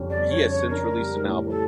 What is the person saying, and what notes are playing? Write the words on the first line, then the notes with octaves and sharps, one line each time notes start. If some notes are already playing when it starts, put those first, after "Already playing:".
He has since released an album.
Already playing: F2 C#3 G3 C#4
D5
G3
C#5
C#3
C#5
D4 A#4
G3
A2
G4 A4